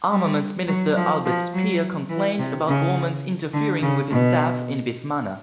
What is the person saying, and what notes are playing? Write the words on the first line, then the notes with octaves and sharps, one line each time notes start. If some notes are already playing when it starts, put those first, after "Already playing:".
Armaments Minister Albert Speer complained about Bormann's interfering with his staff in this manner.
G3
F#3
F3
F3
F#3
E3
C3
C#3
D3
C#3
B2